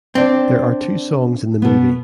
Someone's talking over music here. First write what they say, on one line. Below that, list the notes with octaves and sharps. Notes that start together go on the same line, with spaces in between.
There are two songs in the movie.
C4 D4 D5
B2 B3